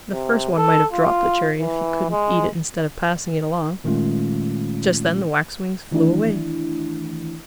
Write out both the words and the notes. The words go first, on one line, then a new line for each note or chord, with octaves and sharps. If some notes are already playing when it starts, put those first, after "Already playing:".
"The first one might have dropped the cherry if he couldn't eat it instead of passing it along." Just then the Waxwings flew away.
C3
A4
F4
E3
G#3
A#2 D#3 G#3 A3 C#4 F4
D#3 E3 A3 D4 E4